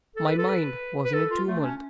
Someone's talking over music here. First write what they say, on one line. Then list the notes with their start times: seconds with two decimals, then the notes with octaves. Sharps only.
My mind was in a tumult.
0.16 A4
0.27 B4
0.38 A4
0.49 B4
1.04 B4
1.14 A4
1.31 F4
1.47 A3
1.59 D4
1.63 C#4